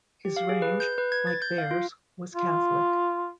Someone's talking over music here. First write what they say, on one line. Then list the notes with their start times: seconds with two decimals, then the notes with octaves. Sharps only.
His range, like theirs, was catholic.
0.25 G4
0.37 F5
0.49 G#4
0.62 B4
0.80 G6
0.98 B4
1.12 G#6
1.27 A6
1.42 G6
1.58 F5
1.71 F4
2.35 F4